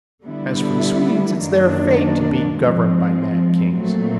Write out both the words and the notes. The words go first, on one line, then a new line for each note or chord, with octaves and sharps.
As for the Swedes--it is their fate to be governed by mad kings.
D3 G3 B3 E4
F#2 D#3 F#3 A#3 D4
F3 G#3 C4
A#2 F#3 A3 C4